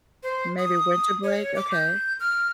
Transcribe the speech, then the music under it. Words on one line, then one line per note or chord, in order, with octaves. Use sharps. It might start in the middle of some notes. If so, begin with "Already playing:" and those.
Maybe winter break, okay.
C5
D#6
C#5
D6
G6
F6